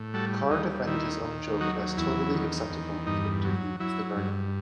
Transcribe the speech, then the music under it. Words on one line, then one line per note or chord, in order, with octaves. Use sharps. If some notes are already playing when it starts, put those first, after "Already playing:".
Carr defended his own joke as "totally acceptable" in an interview with "The Guardian".
Already playing: A2
G3 F#4 A4
D#2 D#4
D#3 E4
D#2
F#3 D#4 F#4
E2 E4
D#3
E2
G2 D#4
F#3
F#3 E4
G2